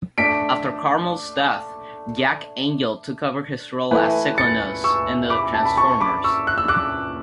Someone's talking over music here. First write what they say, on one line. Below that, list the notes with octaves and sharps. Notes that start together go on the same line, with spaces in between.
After Carmel's death, Jack Angel took over his role as Cyclonus in "The Transformers".
A3 D4 A4 B6 D7
E3 A3 E4 B4
A6 C#7
C#6 E6
B5 D6
A5
B5
A5 C#6
B5 D6
C#6 E6
F#6
E6
D6 F#6